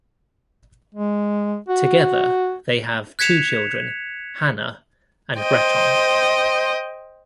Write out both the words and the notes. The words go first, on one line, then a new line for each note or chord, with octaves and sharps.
Together, they have two children, Hannah and Breton.
G#3
F#4
F#6 G#6 B6 C#7 E7 F7
C5 D#5 G5